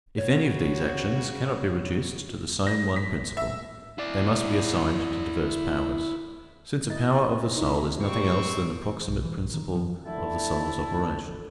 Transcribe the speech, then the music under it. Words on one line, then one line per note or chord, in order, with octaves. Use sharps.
If any of these actions cannot be reduced to the same one principle, they must be assigned to diverse powers; since a power of the soul is nothing else than the proximate principle of the soul's operation.
C#3 F#4 C#5
A#6
B6
E5
E4 D5
E4 D#5 A6
C3 D#4 E4
G#1 G3 C4 C#6
B1
E3
A#1
D#3
F3
D3 A3 E4 A5